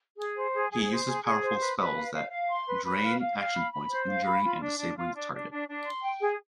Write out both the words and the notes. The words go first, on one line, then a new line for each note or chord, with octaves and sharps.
He uses powerful spells that drain Action Points, injuring and disabling the target.
G#4
C5
G#4
G#4
C5
G#4
G#4
C5
B4
B4
F5
F5
F5
C6
B4
B4
F5
F5
F5
B5
B5
C5
F5
B5
F4
D4
D4
F4
D4
D4
D4
D4
C6
G5
G#4